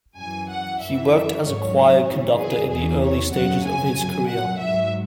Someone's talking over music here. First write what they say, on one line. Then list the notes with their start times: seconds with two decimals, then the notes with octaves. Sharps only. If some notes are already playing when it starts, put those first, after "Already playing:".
He worked as a choir conductor in the early stages of his career.
0.19 F#2 E3 G#5
0.51 F#5
0.82 F#2 E3 E5
1.44 G#2 F#3 C#5
2.08 F#2 E3
2.39 G#4
2.71 E2 E3 G#4
3.03 C#5
3.33 F#2 C#3 F#3 F#5
3.66 G#5
3.97 F#2 F#3
4.28 F#5
4.60 G#2 F#3 E5